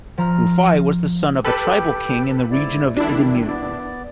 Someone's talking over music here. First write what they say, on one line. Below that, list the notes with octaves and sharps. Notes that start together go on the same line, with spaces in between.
Rufai was the son of a tribal king in the region of Idimu.
F3 A#5 F6
G4 A4 B4 G5 B5
G#2 E4 D5
E2 D#3 G3 D4 E4
B3 D5